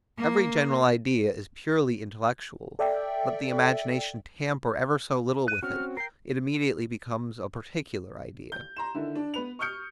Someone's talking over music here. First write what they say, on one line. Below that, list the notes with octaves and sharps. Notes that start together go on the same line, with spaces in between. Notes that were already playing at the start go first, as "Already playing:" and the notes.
Every general idea is purely intellectual; let the imagination tamper ever so little with it, it immediately becomes a particular idea.
A#3
A4 D5 E5 G5
F#6 D#7
C4 C#4 F#4 F6
A#4 G5 C7
G6
A#5 C6 E7
D3 D#3 E4
D4
B3 B4 F7
C#6 D#6 F6 G6 C#7